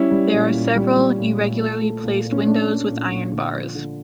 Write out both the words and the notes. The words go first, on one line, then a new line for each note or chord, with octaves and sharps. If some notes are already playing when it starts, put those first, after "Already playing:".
There are several irregularly placed windows with iron bars.
Already playing: G3 C#4 E4
G3
A#2
A#2
G3
G3
A#2
A#2
A3
A3
A#2
A#2
C#4
A3 D4
A3
A#2
A#2
D3
F3
D3